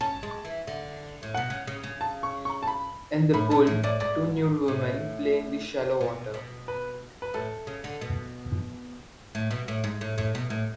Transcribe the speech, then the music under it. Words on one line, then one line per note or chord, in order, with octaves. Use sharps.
In the pool two nude women play in the shallow water.
C#4 A5
G#3
E3
D3
A2
B2 F#5
C#3
C#3
C#3
A5
C#6
C#6
A5
B5
A2 B5
B2 A5
A2
A2 D5
G#2 D5
A2
B2
B2
B4
B4
A2 A4
C#3
D3
B2
A2
B2
A2
G#2
A2
A2
B2
A2